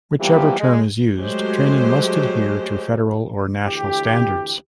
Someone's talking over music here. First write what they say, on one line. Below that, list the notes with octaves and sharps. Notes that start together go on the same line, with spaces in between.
Whichever term is used, training must adhere to federal or national standards.
E3 F3 G3 A#3 B3 G4
G#3
F#3 G#3 A3 G4 C5
D2 E3 G4